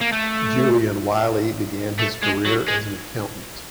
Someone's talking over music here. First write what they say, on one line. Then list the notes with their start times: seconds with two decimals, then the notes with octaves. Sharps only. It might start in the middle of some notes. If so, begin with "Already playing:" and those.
Julian Wylie began his career as an accountant.
0.01 A#3
0.13 A3
1.99 A3
2.23 G#3
2.46 F#3
2.68 G#3